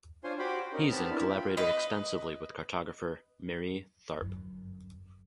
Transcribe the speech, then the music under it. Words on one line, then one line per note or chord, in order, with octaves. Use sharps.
Heezen collaborated extensively with cartographer Marie Tharp.
D4 F4 C5 C#5 G#5 C6
F#4 G4 C5 G5 B5 D6
C#4 D#4 A#4
B3 C4 G4 A5 B5 F6
D4 E4
F4 G5 B5
B4 D#5
G1 F#2